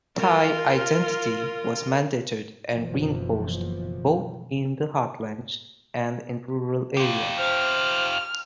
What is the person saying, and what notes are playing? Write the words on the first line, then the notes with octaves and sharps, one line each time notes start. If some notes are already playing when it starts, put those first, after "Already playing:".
Thai identity was mandated and reinforced both in the heartlands and in rural areas.
F4 A#4
F#1 B2 E3 F3
F4 G4
C5 F6